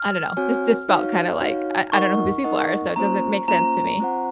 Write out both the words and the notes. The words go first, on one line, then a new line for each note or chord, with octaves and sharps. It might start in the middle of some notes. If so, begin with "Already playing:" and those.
I don't know, it just felt kind of like, I I don't know who these people are, so it doesn't make sense to me.
Already playing: F6
C4 F#4 C#5 G#5
D#4 F#4 C#5 F5
D#4 F#4 C#5 F5
D#4 A#4 D#5 F#5 C#6
D#4 A#4 D#5 F#5
A#3 C#4 F4 C5 A#5
A#3 C#4 F4 C5 A#5
C4 F4 C5 F#5